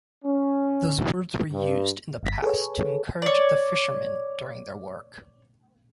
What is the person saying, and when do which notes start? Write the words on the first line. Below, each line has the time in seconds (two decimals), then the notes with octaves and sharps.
Those words were used in the past to encourage the fisherman during their work.
0.24 C#4
1.52 G2
2.23 G1 G2 A#6 B6
2.42 G#4 A4 B4 C#5
3.22 C#5 D5